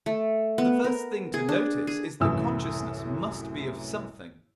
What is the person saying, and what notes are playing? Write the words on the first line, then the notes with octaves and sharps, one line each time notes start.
The first thing to notice is that consciousness must be of something.
A3
B3
A#4
G#4
D4
G#4
C2 F#2 A2 E3 D#6 E6